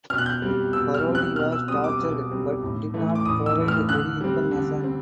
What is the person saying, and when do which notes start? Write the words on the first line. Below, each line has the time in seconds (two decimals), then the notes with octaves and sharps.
Parodi was tortured but did not provide any information.
0.10 B2 F6
0.18 F#6
0.26 G6
0.42 G3 C4
0.73 B2 E6
0.94 F6
1.05 G3 C4
1.15 F#6
1.36 B2 F6
1.52 E6
1.68 G3 C4 D#6
1.84 D6
1.99 B2
2.31 G3 C4
2.63 A2
2.94 E3 A3
3.15 D6
3.25 A2 D#6
3.46 E6
3.57 E3 A3
3.68 F6
3.89 D3 F#6
4.21 G3 C4
4.51 D3
4.84 C4